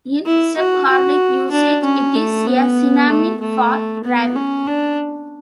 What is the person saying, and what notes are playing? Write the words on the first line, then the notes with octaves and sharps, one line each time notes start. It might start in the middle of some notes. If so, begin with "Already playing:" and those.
In Sephardic usage it is a synonym for "rabbi".
E4
F#4
F#4
D4
C#4
A3
B3
A3
A3
B3
C#4
D4